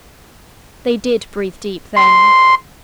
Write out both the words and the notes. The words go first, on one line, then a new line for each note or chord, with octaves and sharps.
They did breathe deep then!
C6